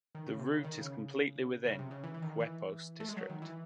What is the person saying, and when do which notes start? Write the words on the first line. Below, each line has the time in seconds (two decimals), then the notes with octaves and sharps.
The route is completely within Quepos district.
0.15 D#3
0.27 C#3
0.39 C3
0.52 C#3
0.64 D#3
0.78 C#3
1.65 C#3
1.79 C3
1.91 C#3
2.04 E3
2.14 E3
2.22 D#3
2.40 E3
3.00 A3
3.09 G#3
3.17 F#3
3.30 D#3
3.42 E3